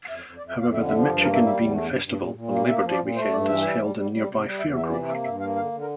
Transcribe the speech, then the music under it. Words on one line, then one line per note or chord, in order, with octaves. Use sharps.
However, the "Michigan Bean Festival" on Labor Day weekend is held in nearby Fairgrove.
F2 E5
F2
D5
F2
E5
F2 F5
D3 E5
F3 E5
G2 G4
A#3 A#4
E5
G3
E5
E2
A3
G2
G2
A#2
A#2
A#3
A#3 E5
F3
D5
A#2
A3 C5
G2 D5
E3 E5
G3
G3
G3
G3
C3
G3
E2 E5
E3 E5
C3 D5
A#3 E5
G2 E5
A#3 F5
D3 F5
D3
A#4